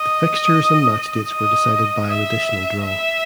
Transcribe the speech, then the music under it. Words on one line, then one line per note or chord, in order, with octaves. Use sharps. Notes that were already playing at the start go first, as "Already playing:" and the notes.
The fixtures and match dates were decided by an additional draw.
Already playing: D#5
D#5
E5
E5